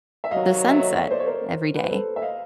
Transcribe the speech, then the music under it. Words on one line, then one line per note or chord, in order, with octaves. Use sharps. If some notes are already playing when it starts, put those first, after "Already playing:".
the sunset every day.
E5
C3 D#3 F#3 D#5 F5
E5
C#5 D#5
C#5 D#5
C5 D5
C#5
A#4 C5
B4
C5
A4 B4
E5
D#5 F5